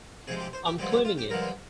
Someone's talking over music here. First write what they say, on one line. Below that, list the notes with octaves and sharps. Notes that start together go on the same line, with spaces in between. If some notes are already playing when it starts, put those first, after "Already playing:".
I'm cleaning it.
C3 F3 G#3 G#4
G4
C5
G4
G2 D3 F3 G#3 G4
G4
F4
G4
G2 D3 F3 G#3 A#4